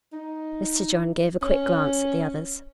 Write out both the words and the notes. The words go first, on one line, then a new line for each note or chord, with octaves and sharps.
Mr. John gave a quick glance at the others.
D#4
C#4